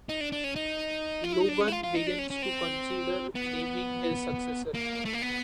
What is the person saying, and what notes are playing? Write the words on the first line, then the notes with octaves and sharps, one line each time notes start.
Logan begins to consider naming his successor.
D#4
D4
D4
C#4
D#4
F4
E4
D#4
D4
C#4
E4
F4
F4
D#4
D4
C#4
C#4
C4
B3
A#3
A3
A#3
B3